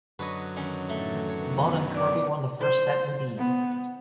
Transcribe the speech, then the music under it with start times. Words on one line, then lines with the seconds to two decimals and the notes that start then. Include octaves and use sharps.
Bond and Kirby won the first set with ease.
0.19 F#2 D3 F#3 B4 C#5 D#5
0.56 D#3 C#4 D#4
0.89 A2 D#3 E3 A3
1.29 D#3 B3 C#5
1.95 D5 D6
2.61 C5
3.38 B3